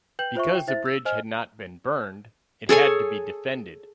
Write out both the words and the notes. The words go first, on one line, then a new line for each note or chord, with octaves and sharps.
Because the bridge had not been burned, it had to be defended.
B4 G5 G6 F#7
F4 C5 E5 C#6
G5
E4 C5 E5 A6
E6
C5 D#5 G#5 F6
G#4 A4 C#5 G#5